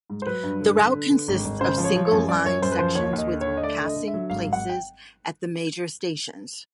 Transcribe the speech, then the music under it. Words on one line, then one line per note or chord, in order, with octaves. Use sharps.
The route consists of single line sections with passing places at the major stations.
G#2
C5
F#3 B4
G2
D3
D3
D3
D3
G#1
G#1
C#3 C5
F3
C#5
F3
C#5
F#2
F#2 D5
F#2 C#5
F#2 C5
B4
F3 C5
D#2 C#5
D#2
D#5
D3
C#5
D3
D#5
A3 D5
D3
D#5
D3
E5
F#3
G#1 F5
G#1
F#5
G5